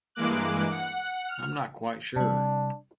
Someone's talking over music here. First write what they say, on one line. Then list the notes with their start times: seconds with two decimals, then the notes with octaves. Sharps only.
I'm not quite sure.
0.15 G2 E3 G#3 A#3 D6 F#6
0.71 F#5
1.28 F6
2.16 C3 G3 D4